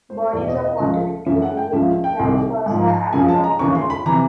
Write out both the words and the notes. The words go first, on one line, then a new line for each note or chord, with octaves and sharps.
Bodies of water include Lake Mariposa and Rock Creek.
C5
E2 B2 D5
D#5
D#5
C#2 C#3 F3
F#2 C#3 E3 E5
F#5
G5
C#2 C#3 F3 E5
G5
C2 C3 D#3
G#2 F3
F#2 C#3 F3 G#5
A5
A#5
D#2 C#3 E3 C#6
C6
B5
C3 E3 A#5